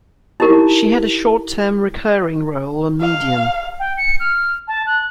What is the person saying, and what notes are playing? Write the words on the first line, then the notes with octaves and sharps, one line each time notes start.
She had a short term recurring role on "Medium".
D#4 E4 G4 A#4
F5
G5
C#7
F6
A5
F#6